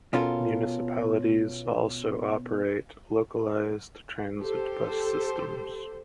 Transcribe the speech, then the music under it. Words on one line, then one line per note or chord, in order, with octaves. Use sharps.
Municipalities also operate localized transit bus systems.
B2 C#4 F4 A4 A#4
G4 A4 C5